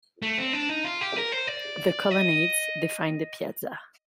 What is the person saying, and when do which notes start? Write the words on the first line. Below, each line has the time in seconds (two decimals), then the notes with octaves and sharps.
The colonnades define the piazza.
0.22 A3
0.38 C4
0.53 D4
0.69 D#4
0.84 F4
1.01 G4
1.16 A#4
1.32 C5
1.47 D5
2.11 D#5